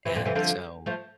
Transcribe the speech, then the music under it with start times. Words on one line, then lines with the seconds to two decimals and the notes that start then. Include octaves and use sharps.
And so
0.05 C3 E3
0.15 A#2 D3
0.25 C3 E3
0.35 D3 F3
0.86 F3 A3